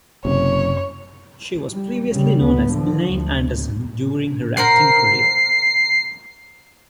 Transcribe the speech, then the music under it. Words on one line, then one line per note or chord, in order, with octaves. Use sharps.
She was previously known as Elaine Anderson during her acting career.
F#1 F#2 C3 C#5
G3
C#3 G3
D2 B3
D3 F3
D2
A#4 C5 F#5 C7